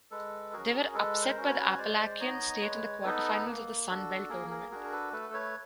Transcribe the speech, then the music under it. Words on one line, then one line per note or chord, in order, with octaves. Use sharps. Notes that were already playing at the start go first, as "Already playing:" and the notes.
They were upset by Appalachian State in the quarterfinals of the Sun Belt Tournament.
G#3 A4 B4
C#4 F#4 G#4 A#4
G#3 A4 B4
A#4 C5
C#4 F#4
C5
B4 C#5
G#3 C5 D5
B3 D#4 C#5 D#5
G#3 B4 C#5
B3 D#4 A4 B4
A#3
D4 F#4 A4
A#3 G#4 A#4
G#4 A#4
D4 F#4 G#4 A#4
A#4
A4 B4
A3 A4 B4
B4 C#5